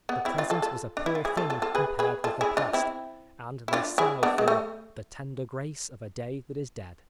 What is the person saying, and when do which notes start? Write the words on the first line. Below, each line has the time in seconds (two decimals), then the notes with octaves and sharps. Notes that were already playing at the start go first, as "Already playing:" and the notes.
The present was a poor thing compared with the past, and they sighed for "the tender grace of a day that is dead."
0.09 B3
0.25 C4 E4
0.38 D4 F4
0.50 F4 A4
0.62 F4 A4
0.97 D4
1.06 E4
1.15 F4
1.25 E4 G#4
1.37 F4 A4
1.50 F4 A4
1.62 F4 A4
1.75 G#4 B4
1.99 G#4 B4
2.24 F4 A4
2.41 E4 G#4
2.57 D4 F4
2.73 C4 E4
3.68 E4
3.73 D4 F4
3.98 E4 G#4
4.23 B3 D4
4.38 G#3
4.48 A3